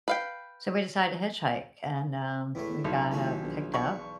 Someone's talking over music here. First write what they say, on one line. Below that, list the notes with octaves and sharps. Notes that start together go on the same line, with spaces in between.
So we decided to hitchhike, and, um, we got, uh, picked up,
B4 F5 G5
E2 A2 E3 A3
B1 B2
D#2 A2 F#3 C#4
A#1
E2 D5 C#6